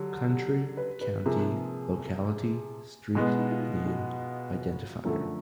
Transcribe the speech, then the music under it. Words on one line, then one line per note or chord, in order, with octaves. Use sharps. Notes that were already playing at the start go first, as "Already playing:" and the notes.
"Country - County - Locality - Street - Name - Identifier".
Already playing: D3 F#3 G4
G4
B4
B4
C3 F3 A#3 G#4
B2 G#3 B3 E4
D#4
F4
E4
F#4
F#2 D3 F3 A3